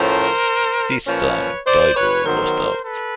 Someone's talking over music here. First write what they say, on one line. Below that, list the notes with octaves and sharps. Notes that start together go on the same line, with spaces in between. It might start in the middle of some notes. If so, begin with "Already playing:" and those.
This time, Daegu lost out.
Already playing: A2 F3 A3 C#4 A#4 C5
A#2 F3 A#3 C#4 B4 C#5
C5 D5
B4 C#5
D#3 F#3 B3 A#4 C5
A4 B4